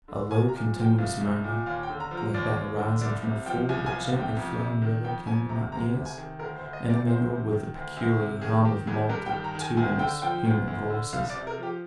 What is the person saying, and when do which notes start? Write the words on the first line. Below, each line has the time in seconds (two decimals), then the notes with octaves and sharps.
A low, continuous murmur, like that arising from a full, but gently flowing river, came to my ears, intermingled with the peculiar hum of multitudinous human voices.
0.08 D3
0.31 C2 G#5
0.49 A#5
0.54 A#2
0.76 F3
0.81 G5
0.98 C2 F5
1.21 C2
1.44 A#2
1.66 D#2 F5
1.83 G5
1.89 D3
2.00 A#5
2.11 F3
2.17 A#5
2.34 D#2 D5
2.57 D#2
2.79 D3
3.01 C2 D5
3.24 C3
3.46 F3 G5
3.69 C2 G#5
3.86 G#5
3.92 C2
4.02 F5
4.14 C3
4.20 G5
4.37 F2
4.59 C3
4.82 D#3
5.04 F2 G5
5.27 F2 G#5
5.49 C3 A#5
5.72 D2 A#5
5.94 C3
6.05 G#5
6.17 D#3
6.39 D2 A#4
6.56 C5
6.61 D2
6.73 D#5
6.85 C3
6.90 D5
7.07 D2 C5
7.29 C3
7.52 D#3
7.75 D2
7.97 D2
8.20 C3
8.42 D#3 G#4
8.65 D#3 G4
8.87 G2 G#4
9.09 G2 A#4
9.26 G5
9.32 D#3
9.44 A#5
9.55 D#3
9.61 G#5
9.77 D2 G#5
9.99 D3 G5
10.22 F3 G5
10.45 D2
10.68 D2
10.90 D3
11.13 C2 F5
11.30 D5
11.35 C3
11.47 A#4
11.58 F3
11.63 G4